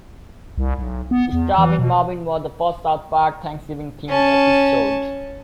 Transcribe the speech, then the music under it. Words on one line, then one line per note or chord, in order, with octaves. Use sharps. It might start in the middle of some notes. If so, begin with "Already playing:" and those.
"Starvin' Marvin" was the first "South Park" Thanksgiving-themed episode.
C2
B1
B3
E2
E3
B2
C#4 A5